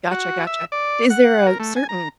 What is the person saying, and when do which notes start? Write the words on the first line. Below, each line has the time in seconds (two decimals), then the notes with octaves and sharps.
Gotcha, gotcha. Is there a certain
0.11 F#4
0.47 E5
0.72 D5
1.10 F#5
1.47 A#4
1.60 A3
1.76 G#5
1.89 A#5